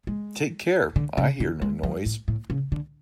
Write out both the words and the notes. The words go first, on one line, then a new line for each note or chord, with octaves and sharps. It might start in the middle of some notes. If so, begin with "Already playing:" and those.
Take care I hear no noise.
G#3
D3
C#3
D3
G#3
F3
A2
A2
C#3
D3